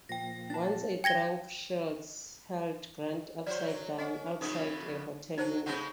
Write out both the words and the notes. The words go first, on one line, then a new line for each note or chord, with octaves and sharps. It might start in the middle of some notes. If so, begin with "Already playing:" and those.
Once a drunk Shields held Grant upside down, outside a hotel window.
A#2 F3 G5 A#6
D4 A5 A6
G5 G#6 A#6 G7
F3 C5 D5
F#3
C#4 D#5 F#5
F2 C#3 B3 D#4 D#6
F#3 D#4 C5 A5
C#3 G#3 A3 F#5